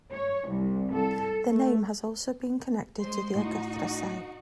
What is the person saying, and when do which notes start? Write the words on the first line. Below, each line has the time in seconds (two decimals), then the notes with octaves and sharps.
Their name has also been connected to the Agathyrsi.
0.11 C#5
0.50 C2
0.91 A4
1.50 A3
3.00 G#3 C5 C6
3.36 A2 D#4 F#4